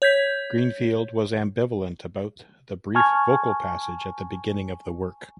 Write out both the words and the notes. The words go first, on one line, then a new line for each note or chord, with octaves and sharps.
Greenfield was ambivalent about the brief vocal passage at the beginning of the work.
C#5 G6 G#6 B6
G#5 A5 C#6 F6 G#6